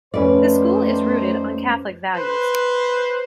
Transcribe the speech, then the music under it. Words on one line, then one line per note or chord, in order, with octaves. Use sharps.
The school is rooted on Catholic values.
F2 D#3 G3 A3 C#4 B4 C5 D5
B4 C5